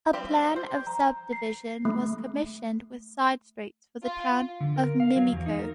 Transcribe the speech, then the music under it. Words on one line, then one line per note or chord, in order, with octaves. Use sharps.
A plan of subdivision was commissioned with side-streets for the 'Town of Mimico'.
G3 C4 G4
C5
A#5
C7
A3
F4
D3
A#4
F5
F#3
E2
D#4
A#4